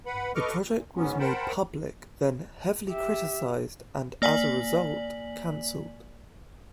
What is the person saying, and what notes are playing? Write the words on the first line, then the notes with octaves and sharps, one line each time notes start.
The project was made public then, heavily criticized and, as a result, cancelled.
B4 F#5 B5
A4 B4 D#5 C#6 D6 F6
A#2
G#2 F#3 B3 C#4
A#4 C5 F#5 G5 A5 B5
G4 E5
A#3 D5 G#5 B6 F#7